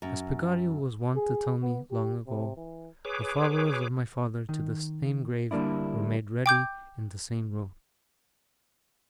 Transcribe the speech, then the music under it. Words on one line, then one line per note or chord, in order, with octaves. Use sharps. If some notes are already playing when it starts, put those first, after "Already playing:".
As Peggotty was wont to tell me, long ago, the followers of my father to the same grave were made ready in the same room.
F#2
G#4
B3
G4
C3
E3
G#4 B4 C#5 D6
D#3
D3 G3 A#3 D4 E4
G5 D6 G6